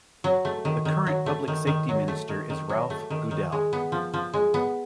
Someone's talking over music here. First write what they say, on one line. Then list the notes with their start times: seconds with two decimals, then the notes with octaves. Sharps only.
The current public safety minister is Ralph Goodale.
0.24 F#3
0.45 A3
0.65 D#3
0.85 D#3
1.07 F#3
1.26 A3
1.48 D#3
1.67 D#3
1.89 F#3
2.08 A3
2.29 D#3
2.50 D#3
2.69 F#3
2.90 A3
3.10 D#3
3.31 D#3
3.52 G#3
3.73 B3
3.92 F3
4.14 F3
4.33 G#3
4.54 B3